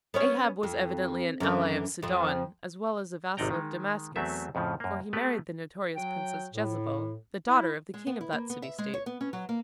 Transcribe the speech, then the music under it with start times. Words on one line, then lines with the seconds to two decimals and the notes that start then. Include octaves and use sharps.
Ahab was evidently an ally of Sidon as well as a vassal of Damascus, for he married the notorious princess Jezebel, the daughter of the king of that city State.
0.14 B3 C#4 C#5
0.63 F2
1.40 F#2 D3 E3
2.03 F2 F3
3.37 G#1 C3 D#4 D5 G5 A#5
3.51 D#3 G#3
4.16 E2 F#3 A3 C4 E5
4.55 F2 A2 C#3 F3
4.80 F#2 A#3
5.13 A3 B3 G4 B4
5.95 F#3 G5
6.53 A2
7.46 E4
7.94 G#3
8.07 B3
8.21 E4
8.33 A#3
8.50 B3
8.62 E5
8.78 G#3
8.94 C#5
9.06 B3
9.21 C#4
9.33 F#3
9.49 A#3